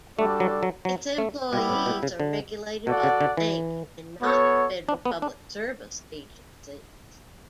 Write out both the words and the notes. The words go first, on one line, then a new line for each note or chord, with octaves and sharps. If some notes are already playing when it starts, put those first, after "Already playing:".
Its employees are regulated by the bank and not the federal public service agencies.
G3 A3 D4 F#4 A4 D5
F#3
F#3
F#3
A3
B2 G3 B3 E4 G4
A2
B2
C#3
D3
B2 F#4 A4 D5 F#5
C#3
D3
E3
B3 F#4 A4 C#5
D4
B3
D4